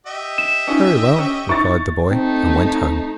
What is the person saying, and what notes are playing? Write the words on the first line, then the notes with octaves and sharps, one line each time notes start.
'Very well,' replied the boy, and went home.
G4 D#5 E5
E7
C#4 D#4 F4
C#4
D#4 E4 C#6 A6
A3 C4 D#4